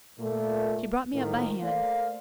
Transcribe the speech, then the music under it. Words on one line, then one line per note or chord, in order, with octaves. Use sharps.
She brought me up by hand.
A#2 A3
A2 D#3 A#3 F4 C5
A3 A#3 C5 D5 F5